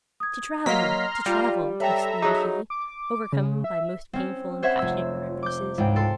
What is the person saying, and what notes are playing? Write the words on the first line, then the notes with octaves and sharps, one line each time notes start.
"To travel! to travel!" exclaimed he, overcome by most painful and passionate remembrances.
D#6 G#6
F#3 A#3 D#5 F5 A#5 C6 F6 B6
G3 F4 F5
A4 B4 C#5 E5 G5 A#5
F#3 D#4 G#4
D6
C#3
E5
C4 C#4
C5 C#5 E5 F#5 G#6
F1 E6
D6 G6
C#2 G#2 G5
A4 C6